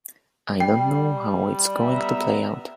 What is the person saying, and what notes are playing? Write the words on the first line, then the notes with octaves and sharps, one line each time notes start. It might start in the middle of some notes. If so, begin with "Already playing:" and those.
I don't know how it's going to play out.
G3 G5
B3 E5 A#5